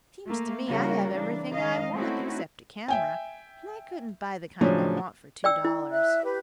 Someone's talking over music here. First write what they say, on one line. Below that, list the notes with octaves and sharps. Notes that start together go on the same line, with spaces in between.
"Seems to me I have everything I want except a camera, and I couldn't buy the kind I want for two dollars."
A3 A#3
C#3 F3 G3 A#3 F#4 A#4
E3 A#3 D4
D#3 G#3 D#5 F5
A3 C4 C#4 D#4 E4 F#4
E5 G5 G#5
A2 C#3 F3 F#3 C#4 D4
D5 G5 E6
E4
E5 F#6
G4 B4